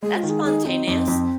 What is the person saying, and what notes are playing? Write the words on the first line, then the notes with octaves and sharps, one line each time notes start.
that's spontaneous.
G#3 G#4
F4
D#3
G#4
D#4 G#4
C4 D#4
F2 C4
F2